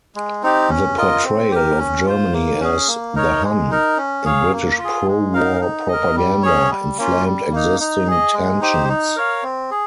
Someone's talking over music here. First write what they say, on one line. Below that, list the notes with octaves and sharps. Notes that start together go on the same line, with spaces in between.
The portrayal of Germany as "The Hun" in British pro-war propaganda inflamed existing tensions.
G#3
C4 D#4 G4
C#4
F4 A#4 D#5
C4
G4 A#4
C#4
F4 C5
A#3
C#4 G#4
A#3
D#4 A#4 C#5
G#3
D#4 A#4
C#4
G#4 C#5 F5
A#3
F4
G#4
G#3
D#4 A#4 F5
D#4
A#4 D#5
G3
C#4 G#4 C#5
G3
A#3 C#4 F4
G3
A#3 D#4
D#4
G#4 D#5
G#3
D#4 G4 C5
D#4
A#4 C#5 F5
C4
G#4